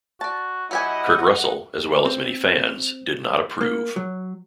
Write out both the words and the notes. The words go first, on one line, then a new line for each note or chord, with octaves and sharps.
Kurt Russell, as well as many fans, did not approve.
F#4 D5 A5
F#3 E4 G4 D#5 F#5 G#5
C4
A#3
F#3